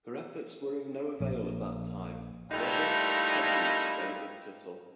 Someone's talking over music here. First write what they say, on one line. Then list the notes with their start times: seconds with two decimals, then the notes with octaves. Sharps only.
Her efforts were of no avail at that time; however, providence favored Tuttle.
1.20 A#1
2.51 A#2 G3 A3 D#4 E4 F5